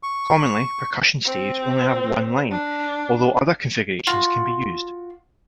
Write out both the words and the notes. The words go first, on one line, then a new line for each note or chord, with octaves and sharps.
Commonly, percussion staves only have one line, although other configurations can be used.
C#6
C4
D4
F4 F#4